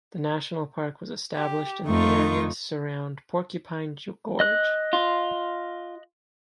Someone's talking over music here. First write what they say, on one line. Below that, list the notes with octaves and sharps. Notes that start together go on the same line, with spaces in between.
The national park was established in the area surround Porcupine Gorge.
G4
F2 A3 D#4 F4 C#6
D#5 F#6
F4